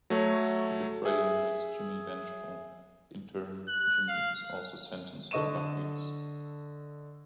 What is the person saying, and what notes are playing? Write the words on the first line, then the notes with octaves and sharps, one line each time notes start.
The betrayal makes Jimmy vengeful; in turn, Jimmy is also sentenced to buckwheats.
F#3 A3 C#5
G#4 E5
F#6
F5
D3 A4 D#5 C#6 D#7 E7